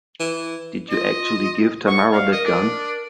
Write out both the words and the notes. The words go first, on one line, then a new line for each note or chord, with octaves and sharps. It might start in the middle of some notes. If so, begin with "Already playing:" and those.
Did you actually give Tamara that gun?
E3
F4 D#5
F#5 C#6
D5 F5
A#4 D#5
D4